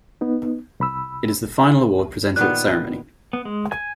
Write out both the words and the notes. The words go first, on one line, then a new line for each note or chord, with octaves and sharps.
It is the final award presented at the ceremony.
B3 D#4
C2 B5 E6
A#2 D#3 B3 F#6
B3
G#3
G#5